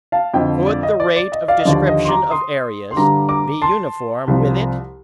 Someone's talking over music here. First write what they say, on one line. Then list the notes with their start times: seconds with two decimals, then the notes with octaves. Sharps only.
Could the rate of description of areas be uniform with it?
0.12 F5 A5
0.34 F2 D3 F3 D#5 G5
0.67 D5
0.83 D#5
1.00 D5
1.16 D5
1.32 D#5
1.48 D5 F5
1.59 D#5
1.65 D#2 D3 F3 D5
1.88 D#5
2.04 C6
2.08 A#5 D6
2.31 C6 D#6
2.91 C6
2.96 G2 D3 G3 A#5 D6
3.29 A#5 D6
3.62 A5 C6
4.28 C2 C3 F3